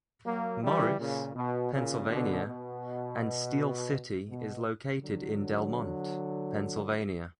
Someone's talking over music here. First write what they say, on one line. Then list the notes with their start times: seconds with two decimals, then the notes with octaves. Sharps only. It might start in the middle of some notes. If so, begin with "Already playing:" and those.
Morris, Pennsylvania, and Steel City is located in Delmont, Pennsylvania.
0.25 F#3 A#3
0.62 E3 G3
0.99 A#2 C#3
1.35 B2
1.72 A#2 C#3
2.09 B2 D3
2.46 B2
4.29 B2
5.03 D3 F#3